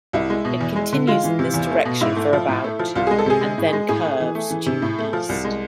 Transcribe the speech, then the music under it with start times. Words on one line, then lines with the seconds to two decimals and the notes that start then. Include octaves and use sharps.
It continues in this direction for about and then curves due east.
0.13 C2 E4
0.30 G#3
0.45 B2
0.61 E2
0.76 G#3
0.93 D3
1.07 G#3 F4
1.24 E3
1.39 C3
1.54 E2
1.70 A3
1.85 B2
2.01 G#2 E4
2.16 A3
2.33 F3
2.49 A2
2.64 A3
2.79 F3
2.95 C2 F4
3.07 G#3 G#4
3.19 A4
3.26 C3 G#4
3.41 G#3
3.58 A2
3.73 G#3
3.89 A2 G#4
4.05 A3
4.20 E3
4.35 A3
4.51 E3
4.66 C3
4.82 A2
4.99 A3
5.13 F3
5.29 C2
5.44 G#3